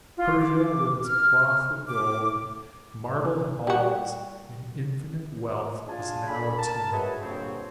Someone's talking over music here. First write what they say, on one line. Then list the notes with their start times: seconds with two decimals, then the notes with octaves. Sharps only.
Persia, with its cloth of gold, marble halls, and infinite wealth, is now a tomb.
0.17 F4
0.41 D6
1.06 F6
1.88 D6
3.67 G3 F#4
5.87 D4 F4 G#4 G#5 A5
6.27 D4 A4 G#5 B5
6.56 A#4 A5
6.91 F#4 G#4 B4 C#5 D#5 E5
7.20 G2 A#2 D3 C4 C5 C#5